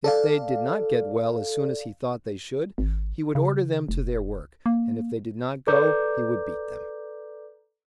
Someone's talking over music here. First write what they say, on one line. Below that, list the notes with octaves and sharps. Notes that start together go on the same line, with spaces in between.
If they did not get well as soon as he thought they should, he would order them to their work, and if they did not go he would beat them.
A4 D5 F5
G#1
C#3
F1
A#3
A4 B4 D5 A#5 D6 G6